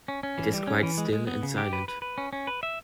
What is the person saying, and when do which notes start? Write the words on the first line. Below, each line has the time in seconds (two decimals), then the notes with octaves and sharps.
It is quite still and silent.
0.08 C#4
0.23 C#4
0.38 E3
0.53 G3
0.67 C#4
0.83 E3
0.98 G#3
1.13 G#3
1.27 B3
1.43 C#3
1.58 G4
1.73 B4
1.88 B4
2.02 B4
2.18 C#4
2.33 C#4
2.47 B4
2.63 E5